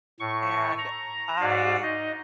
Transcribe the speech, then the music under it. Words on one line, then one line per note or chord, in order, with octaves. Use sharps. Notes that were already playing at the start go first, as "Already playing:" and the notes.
and I
A2 C#6
A#5
G#2 F#4 D5 F5
D#4 D#5